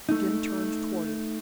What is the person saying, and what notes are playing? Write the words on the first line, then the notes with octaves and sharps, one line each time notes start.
Jim turned toward it.
A3 D#4